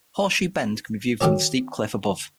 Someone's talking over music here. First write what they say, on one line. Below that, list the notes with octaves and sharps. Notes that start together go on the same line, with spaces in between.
Horseshoe Bend can be viewed from the steep cliff above.
D#3 F#3 G4 A4 C#5